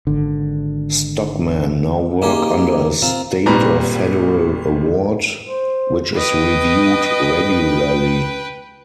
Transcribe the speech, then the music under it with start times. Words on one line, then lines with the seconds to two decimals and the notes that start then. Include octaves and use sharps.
Stockmen now work under a state or federal award, which is reviewed regularly.
0.07 G#1 D3
2.22 A#3 D#4 G4 G#4
3.02 C4 F4 A#5
3.46 G#1 A#2 G3 B4 A#5
5.47 C5
6.14 B4 D#5 G5